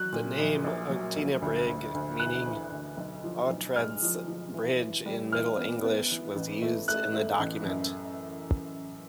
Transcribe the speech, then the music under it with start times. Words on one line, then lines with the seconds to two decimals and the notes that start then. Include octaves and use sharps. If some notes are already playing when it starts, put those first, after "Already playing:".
The name Ughtinabrigg, meaning Oughtred's Bridge in Middle English, was used in the document.
Already playing: F#3 F#6
0.12 A#2
0.39 A#1
0.64 A#1
0.90 F#3
1.16 A#1
1.42 D2
1.68 D2
1.94 D2
2.20 E3 F#6
2.46 E3
2.72 D2
2.98 B1
3.24 F3
3.50 B1
3.76 G#3 F6
4.02 F3
4.28 F3
4.54 E3
4.80 E3
5.06 G3
5.31 E3 F6
5.58 B3
5.84 B3
6.10 E3
6.36 A1
6.62 A3
6.88 A3 F#6
7.14 A3
7.39 A1
7.66 F#2